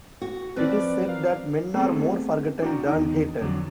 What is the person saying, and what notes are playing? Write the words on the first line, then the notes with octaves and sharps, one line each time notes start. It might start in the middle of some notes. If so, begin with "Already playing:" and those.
It is said that men are more forgotten than hated.
F#4
F3 C4 B4 D5
F#3 A#4 F5
A3 B3 C4 G#4 A4
D4 F#4 G5 A#5
E2 D#4
F2 D3 E3 F#3